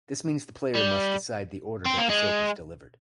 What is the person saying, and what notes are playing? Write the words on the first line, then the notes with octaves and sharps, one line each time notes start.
This means the player must decide the order that the soap is delivered.
G3
C4
A#3
G#3